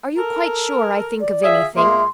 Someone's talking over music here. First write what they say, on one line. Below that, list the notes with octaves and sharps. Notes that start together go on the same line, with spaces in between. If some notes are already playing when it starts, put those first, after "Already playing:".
"Are you quite sure I think of anything?"
A4 A#4
D5
F4 G#4 E5
A#2 G#3 A#3 E5 C6